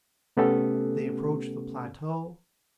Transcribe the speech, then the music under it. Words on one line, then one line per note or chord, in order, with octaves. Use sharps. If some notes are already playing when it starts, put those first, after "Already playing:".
They approached the plateau.
C3 A3 B3 C#4 G4 A4